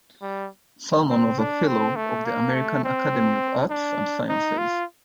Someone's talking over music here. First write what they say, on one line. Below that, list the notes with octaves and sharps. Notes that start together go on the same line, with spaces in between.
Salmon was a fellow of the American Academy of Arts and Sciences.
G3
C4
D4
C4
A3
A#3
A3
C4
D4
D#4
F4